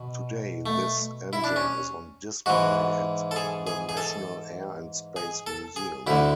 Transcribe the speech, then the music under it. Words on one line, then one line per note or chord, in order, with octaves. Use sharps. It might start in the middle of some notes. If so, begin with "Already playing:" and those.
Today this engine is on display at the National Air and Space Museum.
Already playing: B2
A3
E4
D4
C#4
G#2 E3 F#4
A4
G#4
G#4
G#4
A4
G#4
A4
G#4
D2 D3 E4